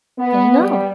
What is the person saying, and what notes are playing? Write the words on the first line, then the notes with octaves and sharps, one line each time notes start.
There you go.
B3
G3